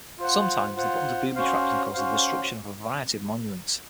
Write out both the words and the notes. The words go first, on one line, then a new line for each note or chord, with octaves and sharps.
Sometimes the buttons are booby-trapped and cause the destruction of a variety of monuments.
F4 C5 F#5
F4 C5 F#5
C#4 F#4 C5 F5
C#4 F#4 C5 F5